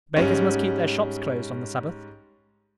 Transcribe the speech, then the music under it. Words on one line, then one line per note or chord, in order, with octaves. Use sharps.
Bakers must keep their shops closed on the Sabbath.
G#2 G3 C#4